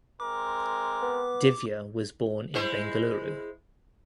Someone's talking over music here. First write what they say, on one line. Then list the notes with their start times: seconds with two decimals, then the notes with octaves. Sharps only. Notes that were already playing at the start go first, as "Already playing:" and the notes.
Divya was born in Bengaluru.
0.20 G#3 C4 A#4 D6
1.02 B3
2.54 G#3 E4 C5